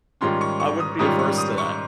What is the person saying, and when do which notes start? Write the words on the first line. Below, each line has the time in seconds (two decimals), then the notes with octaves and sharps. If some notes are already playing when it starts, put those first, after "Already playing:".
I wouldn't be adverse to that.
0.21 G#2 D#3 G3 C#4 F4 C6
0.41 C#6
0.60 C#6
0.80 D#6
0.99 G#2 D#3 G3 C#4 F4 D#6
1.19 C#6
1.38 D#6
1.58 C#6